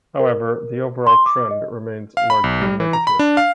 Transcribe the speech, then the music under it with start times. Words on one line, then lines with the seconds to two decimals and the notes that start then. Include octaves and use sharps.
However, the overall trend remains largely negative.
0.20 A#4
1.07 C6
1.26 D6
1.51 D#5
2.17 F5
2.30 B5
2.44 B1
2.61 G3
2.80 E3
2.93 A#5
3.07 B5
3.19 D4
3.37 F5